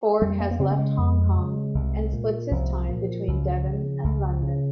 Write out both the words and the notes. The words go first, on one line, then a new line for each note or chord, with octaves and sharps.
Ford has left Hong Kong and splits his time between Devon and London.
F2 G3
A#3
A#3
C#3 C4
A#3
G#3
F2
C#3
C2
A#2
C2 F3
A#2
C#2
C#3
C#2
C#3